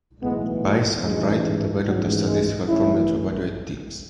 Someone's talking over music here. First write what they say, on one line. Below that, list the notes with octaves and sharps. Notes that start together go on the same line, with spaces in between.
Weiss and Wright developed a statistical formula to evaluate teams.
B1 A2 E3 G#3 B3
F#3 A3
A1 G#2 E3 G#3
A1 G#2 E3 F#3
G#3
A1 A2 E3 C#4 E4